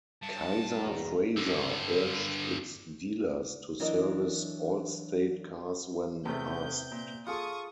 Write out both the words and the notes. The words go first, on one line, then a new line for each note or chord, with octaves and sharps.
Kaiser-Frazer urged its dealers to service Allstate cars when asked.
G2 A5
E2 B2 A#5
G2 D3
E3 F#3 D4 A#4 D#5
E2 C3 A3 B3 G6
A#2
F4 G#4 A4 C#6 D#6